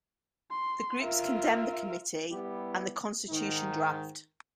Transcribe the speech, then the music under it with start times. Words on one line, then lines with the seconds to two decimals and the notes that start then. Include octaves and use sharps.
The groups condemned the Committee and the constitution draft.
0.51 C6
1.02 F4 A#4 E5
2.30 G3 B3 E4 G4
3.30 G#2 D#3 D#4